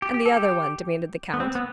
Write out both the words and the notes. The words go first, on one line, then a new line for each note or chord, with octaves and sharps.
"And the other one?" demanded the count.
G4
G4
A4
G4
B3
C4
B3